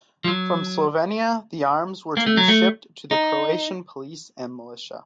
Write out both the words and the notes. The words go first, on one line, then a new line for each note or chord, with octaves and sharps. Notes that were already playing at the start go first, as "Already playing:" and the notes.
From Slovenia the arms were to be shipped to the Croatian police and militia.
F3
F#3
A#3
A3
F#3
A3
D#4